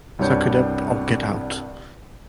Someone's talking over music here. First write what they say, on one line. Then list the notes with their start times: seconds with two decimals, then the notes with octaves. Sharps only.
Suck it up, or get out.
0.19 C2 G2 G3 D4 C#5 G6